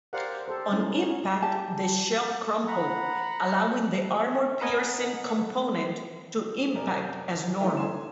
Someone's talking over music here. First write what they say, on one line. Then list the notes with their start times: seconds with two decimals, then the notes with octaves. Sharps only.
On impact the shell crumpled, allowing the armour-piercing component to impact as normal.
0.13 G4 A#4 C5 D5 F5 F#5
0.48 G4 A4 C5
0.72 G#3 C#4 D#4 E4
0.95 C#4
1.42 G4 E5 A5 A#5
2.67 F#5 A#5 B5
4.61 A#4 B4 D#5 F#5 G#5
6.74 F#2 C3 A#4 D5
7.61 D#3 E3 A3 E4
7.77 G#5 C6 E7